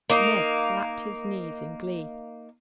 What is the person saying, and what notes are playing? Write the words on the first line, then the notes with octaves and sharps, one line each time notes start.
Ned slapped his knees in glee.
A#3 D#4